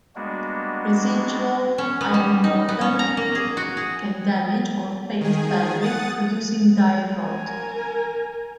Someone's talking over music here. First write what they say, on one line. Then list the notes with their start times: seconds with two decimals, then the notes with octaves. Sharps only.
Residual iron mordant can damage or fade fabric, producing "dye rot".
0.15 G3 G#3 A#3 B3 D4 F#4
1.78 C#4
2.01 B3
2.14 G3
2.44 D#4
2.69 B3
2.81 C#4
2.99 A#5
3.17 A#3
3.35 G#4
3.57 F#4
3.77 G#4
5.21 D#3 G#4
5.81 F#5 D#6 A6
7.19 A#4 G#5